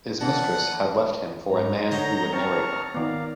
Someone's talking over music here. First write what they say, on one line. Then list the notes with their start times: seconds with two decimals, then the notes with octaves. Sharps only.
His mistress had left him for a man who would marry her.
0.21 A#2 E3 D4 D#4 F#5 A5
1.51 G#2 A#5
1.91 D3 F#3 D#4 G6 A#6
2.33 C4 A5 C#6 F6
2.94 D#3 B3 D5 F5